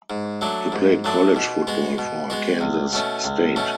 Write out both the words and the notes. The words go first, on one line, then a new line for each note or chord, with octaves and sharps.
He played college football for Arkansas State.
G#2
F#3 A3 D4
G#2
F#3 A3 D4
B2
G#3 B3 F#4
B2
G#3 B3 F#4
C#2
B2 A3 C#4
C#2
B2 A3 C#4